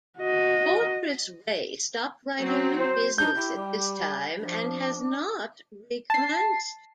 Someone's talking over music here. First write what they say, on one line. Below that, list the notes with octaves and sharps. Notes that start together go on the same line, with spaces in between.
Fortress Re stopped writing new business at this time, and has not recommenced.
F#4 D#5
F#3 C4
C5
D4 D#4 G6
E4 G4
G3
F3 D4
A5 C7